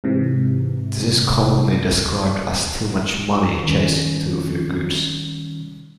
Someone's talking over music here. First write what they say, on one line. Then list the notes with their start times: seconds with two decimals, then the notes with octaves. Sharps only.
This is commonly described as "too much money chasing too few goods".
0.04 G#2 C3 E3
3.63 D#3 G3 C#4